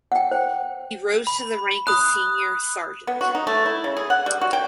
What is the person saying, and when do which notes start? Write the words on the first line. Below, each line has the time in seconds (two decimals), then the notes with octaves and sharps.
He rose to the rank of senior sergeant.
0.12 F#5 G5
0.31 C5 G5
1.27 B5
1.87 B5 D#6 F#6
3.07 B3
3.21 F#4
3.35 D#4
3.47 A3
3.66 E4
3.84 C#3
3.97 G#4
4.10 F#5
4.26 G3
4.41 F#4
4.53 G5